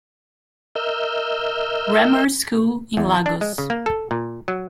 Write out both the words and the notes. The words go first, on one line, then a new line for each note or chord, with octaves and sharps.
Grammar School, in Lagos.
A#4 D#5 E5 E6 F6 G6
E2
D4
G#3
C#3
A#3
A4
A#2
F#3